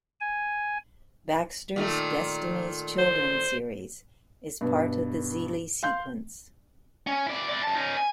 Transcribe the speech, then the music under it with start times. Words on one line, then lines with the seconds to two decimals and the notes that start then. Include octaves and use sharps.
Baxter's "Destiny's Children" series is part of the Xeelee Sequence.
0.20 G#5
1.76 A#2 D#3 A3
2.98 C5
4.61 G2 B2
5.83 F5 C6 G6
7.07 C#4
7.27 E4 D5
7.49 E4 D5
7.63 F#2 A5
7.75 C#4 D#4
7.97 G#5